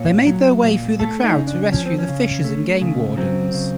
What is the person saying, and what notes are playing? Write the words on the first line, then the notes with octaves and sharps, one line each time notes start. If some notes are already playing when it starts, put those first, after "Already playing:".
They made their way through the crowd to rescue the fishers and game wardens.
Already playing: A#2 C#5
F#3
A#2
A3 A4
D#4
C#3
D4
F3 C#4
C4
C#4
C#3
A3
C#3
F#3 C4
C#3